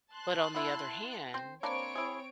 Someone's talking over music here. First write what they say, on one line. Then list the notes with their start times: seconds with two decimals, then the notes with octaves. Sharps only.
But on the other hand,
0.13 A5 C6 F#6
0.55 B3 E4
1.34 C4 C5
1.63 A#3 C4 D4 B4 C#5 D7
1.96 E4 G#4